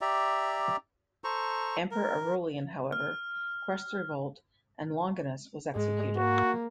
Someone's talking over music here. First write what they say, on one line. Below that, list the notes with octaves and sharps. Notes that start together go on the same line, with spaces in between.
Emperor Aurelian, however, crushed the revolt, and Longinus was executed.
G4 D5 E5 A#5
A4 C5 A#5 C#6
A#4
F6
G#2 G#3
A#3 F#4